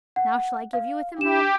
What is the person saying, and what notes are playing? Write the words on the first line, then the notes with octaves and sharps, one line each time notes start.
"Now shall I give you a thimble?"
F#5
F5
D4 G4 E7